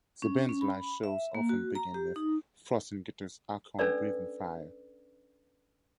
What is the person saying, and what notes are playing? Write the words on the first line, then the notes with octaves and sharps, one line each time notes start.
The band's live shows often begin with Frost and guitarist Archaon breathing fire.
C#4
C#4
B5
E5
A#3
F#4
A#5
G4
D#4
C#4 D4 A4 B4 D5 E6